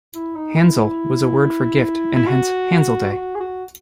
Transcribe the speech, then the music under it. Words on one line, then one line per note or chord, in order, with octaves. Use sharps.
"Handsel" was a word for gift and hence "Handsel Day".
E4
D#4
E4
E4
F#4
F#4
G#4
F#4